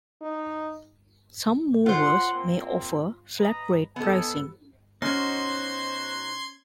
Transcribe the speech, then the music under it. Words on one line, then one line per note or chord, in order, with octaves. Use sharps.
Some movers may offer flat rate pricing.
D#4
F4 C5 F#5
A#3 C4
B4 D#5 A#5
B3 A4 D#5 G#5 A5
B2 C#4 D#4 F#4 C5 C6 G#6